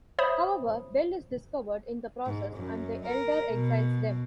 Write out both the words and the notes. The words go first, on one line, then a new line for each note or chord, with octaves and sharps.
However, Bel is discovered in the process, and the elder exiles them.
C5 C#5 E5 B5 D#6
G#2
F#2
A#4
B2